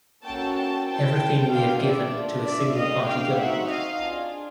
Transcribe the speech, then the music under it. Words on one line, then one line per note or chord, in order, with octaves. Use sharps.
Everything we have given to a single party government.
A#3 C#4 F#4 A4 G5 A5
G5 A5
C4 E4 A4 G5 A5
B3 D4 F4 A4 F5 G5
D5 E5
D4 F4 A4
D5 E5
A3 D4 G4 D#5 F5
F5 G5
C4 D#4 F#4 E5 F#5
D#5 F5
D4 F4 G#4